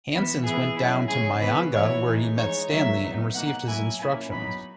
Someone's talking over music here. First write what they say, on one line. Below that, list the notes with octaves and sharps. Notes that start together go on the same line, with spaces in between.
Hanssens went down to Manyanga where he met Stanley and received his instructions.
E3 B3 E4
E3 B3 E4 G#4
F#3 C#4 E4
C#3 G#3 C#4 G#4
C#3 E3 B3 B4
E3 A#3 E4 C#5
E3 G#3 D#4
E3 G#3 D#4 C#5
C#3 F#3 A#3 E5
F#3 B3 D#4
B2 A#3 D#4 F#5
F#3 A#3 E4 G#5
A#2 A#3 C#4 E4 G#5
F#3 B3 D#4 B5